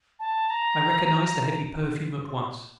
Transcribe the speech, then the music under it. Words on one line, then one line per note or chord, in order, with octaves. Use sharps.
I recognized the heavy perfume at once.
A5
A#5